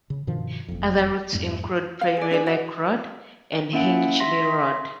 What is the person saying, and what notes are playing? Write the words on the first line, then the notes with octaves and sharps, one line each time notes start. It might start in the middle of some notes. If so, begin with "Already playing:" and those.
Other routes include Prairie Lake Road and Hingeley Road.
C#3
G2 B2 D#3 F3
F#1 F2
F2 G#2 G3 A3
F5
G#4 D5
D4 G#4 D5
F#4 D#5
A#3 C#4 E4 E5 F#5 D7
E5 C6 A#6 B6